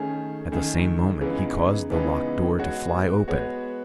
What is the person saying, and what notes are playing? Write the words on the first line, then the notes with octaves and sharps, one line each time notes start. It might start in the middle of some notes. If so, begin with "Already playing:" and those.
At the same moment he caused the locked door to fly open.
Already playing: D#3 A3 C#4 G#4
D#3 A3 C#4 G#4
C#3 E3 G#3 B3 D#4
C#3 E3 G#3 B3 D#4
G#3 B3 F#4 C#5
G#3 B3 F#4 C#5